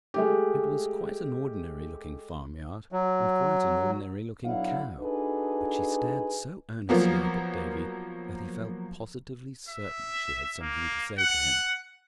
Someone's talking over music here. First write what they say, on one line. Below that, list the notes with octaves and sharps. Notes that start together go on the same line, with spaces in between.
It was quite an ordinary-looking farm-yard and quite an ordinary-looking Cow, but she stared so earnestly up at Davy that he felt positively certain she had something to say to him.
G#3 A3 G4
F#3
B1 F#3 D4 E4 F5 F#5
D4 D#4 F#4 G#4 A4 B4
F3 F#3 A#3 B3
E5
A#3
F#5